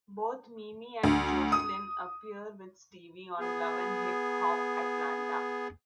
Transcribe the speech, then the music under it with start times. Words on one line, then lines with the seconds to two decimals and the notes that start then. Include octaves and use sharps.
Both Mimi and Joseline appear with Stevie on "Love and Hip Hop: Atlanta".
1.03 D2
1.52 D#6
3.40 B3 G#4